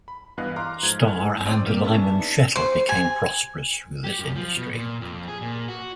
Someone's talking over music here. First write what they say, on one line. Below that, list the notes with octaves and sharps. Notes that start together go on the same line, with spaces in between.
Starr, and Lyman Shettle became prosperous through this industry.
B5
G2 E3 B3 D#5 F5 F#6
F5 A#5 C6 D6 F6
G#2 F3 G#6
A3 E4
G#3 C4 D#4 D5 G5
C3 A#3 G4 A#4 F5
C#3 B3 C#4 D4 E5 A5
D#4
C5
G#5
G4
F#2
F3
B2
A#2
F2
G#4
A#2
F#4